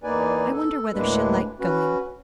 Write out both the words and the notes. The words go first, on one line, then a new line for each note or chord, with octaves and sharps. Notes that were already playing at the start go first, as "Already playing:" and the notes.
I wonder whether she'll like going.
E2 A#3 D#4 B4 D5 G#5
A4
D2 A2 G#3 A#3 D4 B4
C#4 F#4 B4